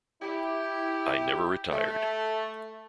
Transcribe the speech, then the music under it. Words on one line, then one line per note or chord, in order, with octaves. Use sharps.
I never retired.
E4 G4
A3